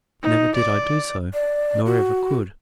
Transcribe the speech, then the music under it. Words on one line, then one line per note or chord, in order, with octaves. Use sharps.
Never did I do so, nor ever could.
D#4
D5
D5
F#4